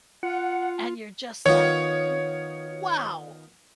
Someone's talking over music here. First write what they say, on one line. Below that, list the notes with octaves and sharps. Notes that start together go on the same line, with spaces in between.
and you're just like, "W wow!"
F4 F#5
D#3 B3 F4 C#5